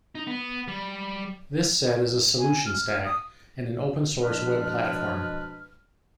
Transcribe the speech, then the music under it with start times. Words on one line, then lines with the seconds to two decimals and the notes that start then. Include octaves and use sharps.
This set is a solution stack, and an open source web platform.
0.15 D#4
0.27 B3
0.68 G3
2.39 G#5
2.66 F6
3.05 D#6
4.23 B2 F3 G#3 D4 B4 F6